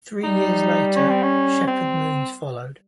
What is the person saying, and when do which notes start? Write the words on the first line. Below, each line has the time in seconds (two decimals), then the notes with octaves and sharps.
Three years later, "Shepherd Moons" followed.
0.23 G3 D#4
0.96 C#4
1.09 C4
1.23 C#4
1.67 C4